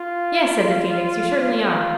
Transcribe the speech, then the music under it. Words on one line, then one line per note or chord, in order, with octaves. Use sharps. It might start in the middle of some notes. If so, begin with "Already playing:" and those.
'Yes,' said the Phoenix, 'you certainly are.
Already playing: F4
F4